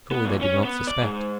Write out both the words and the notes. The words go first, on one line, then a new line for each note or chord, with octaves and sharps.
Surely they did not suspect!
B3
A#2 F#3
C#4
B3
D5
G#2